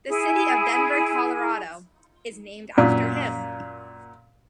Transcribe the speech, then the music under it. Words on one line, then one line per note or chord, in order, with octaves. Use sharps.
The city of Denver, Colorado, is named after him.
E4 G#4
F#2 A#2